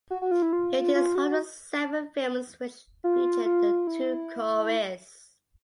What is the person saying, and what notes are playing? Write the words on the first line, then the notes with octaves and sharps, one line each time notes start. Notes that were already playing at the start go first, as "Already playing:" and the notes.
It is one of seven films which featured The Two Coreys.
F#4
F#4
F4
E4
F4
F4
F#4
F4
F4
E4